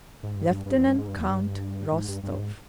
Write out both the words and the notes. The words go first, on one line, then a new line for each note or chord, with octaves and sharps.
"Lieutenant Count Rostov."
G#2
G2
G2
G2
E2
G2
G#2
G2
E2
G2
G#2
G2
G2
G#2